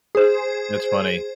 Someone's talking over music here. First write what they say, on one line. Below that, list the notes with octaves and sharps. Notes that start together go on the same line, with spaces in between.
That's funny.
G#4 C5